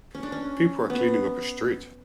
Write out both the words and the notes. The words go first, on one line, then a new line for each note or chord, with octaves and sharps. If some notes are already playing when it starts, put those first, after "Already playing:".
People are cleaning up a street.
C#4
D4
C#4
B3